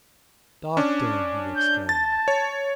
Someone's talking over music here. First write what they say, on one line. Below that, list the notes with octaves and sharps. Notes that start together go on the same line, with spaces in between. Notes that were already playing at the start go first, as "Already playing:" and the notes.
"Doctor!" he exclaimed.
C#4 D4 D6
G6
A5 A6
C#5